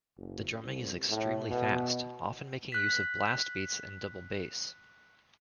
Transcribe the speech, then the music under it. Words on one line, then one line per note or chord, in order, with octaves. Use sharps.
The drumming is extremely fast, often making use of blast beats and double bass.
F#1
C2
A2
B2
F#6 B6